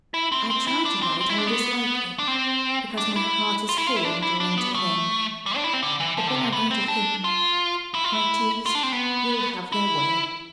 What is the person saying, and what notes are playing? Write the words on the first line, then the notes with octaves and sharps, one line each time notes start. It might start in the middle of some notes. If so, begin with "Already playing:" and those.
I try to write all this lightly, because my heart is full in drawing to an end, but when I write of him, my tears will have their way.
E4
C4
C4
E4
D4
C4
C4
E4
D4
B3
D4
C4
D4
E4
F4
E4
F4
E4
D4
E4
D4
B3
A3
G3
D4
E4
C4
D3
E3
F3
D3
C3
B3
C4
D4
F4
E4
F4
E4
F4
D4
C4
B3
E4